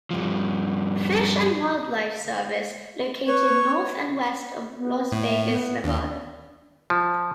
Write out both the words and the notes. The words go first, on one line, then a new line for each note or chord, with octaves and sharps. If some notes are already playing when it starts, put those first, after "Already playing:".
Fish and Wildlife Service, located north and west of Las Vegas, Nevada.
G2 F3
B4 C#5
B3
A2
E5
B3
D#2 D4
F3